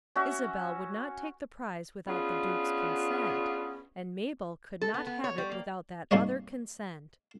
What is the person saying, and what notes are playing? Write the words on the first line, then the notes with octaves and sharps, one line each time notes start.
Isabel would not take the prize without the Duke's consent;--and Mabel could not have it without that other consent.
C#4 F#4 E5
B3 C#4 D4 F4 G#4
A4
B3
B3
C#5
G3
A#3
G#2 C3 G3 A#3 C#5 D#5